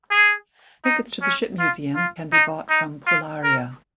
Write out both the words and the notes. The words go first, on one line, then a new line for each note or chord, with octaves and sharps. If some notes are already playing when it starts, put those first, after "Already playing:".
Tickets to the ship museum can be bought from Polaria.
G#4
D#4
C#4
F4
F4
D#4
D#4
F4
A#4